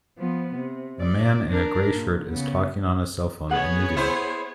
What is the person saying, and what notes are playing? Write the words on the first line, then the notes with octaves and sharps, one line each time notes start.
A man in a gray shirt is talking on a cellphone and eating.
F3 B3
C3
D5
D4 A#4
A#2
C#3 B3
B3 G#4 C#5 F#5
E4 C5